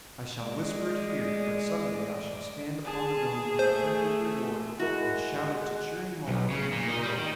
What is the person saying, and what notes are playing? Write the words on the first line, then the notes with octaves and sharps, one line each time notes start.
"I shall whisper it here, but some day I shall stand upon the dome of the Temple of Reward and shout it to cheering multitudes below."
G#3 D5
G#4 A5
A3 C5
G#3 E4 F#4 A#4 F#5
B1
C#3
A#2
D#4
G3
D#3